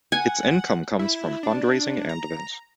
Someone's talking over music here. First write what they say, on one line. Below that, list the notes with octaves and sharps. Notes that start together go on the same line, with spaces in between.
Its income comes from fundraising and events.
F#5 G#5
E4
D4
A#5